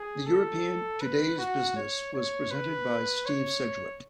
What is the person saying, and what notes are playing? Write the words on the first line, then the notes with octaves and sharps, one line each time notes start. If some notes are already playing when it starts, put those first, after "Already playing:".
The European "Today's Business" was presented by Steve Sedgwick.
Already playing: G#4
A4
B4
F#4
C#5
C#5
B4
C#5